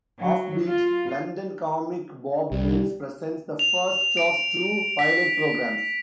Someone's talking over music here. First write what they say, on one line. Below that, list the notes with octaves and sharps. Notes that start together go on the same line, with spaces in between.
Offbeat London comic Bob Mills presents the first of two pilot programmes.
F#3
F4
C2 G3
F7
D7
B6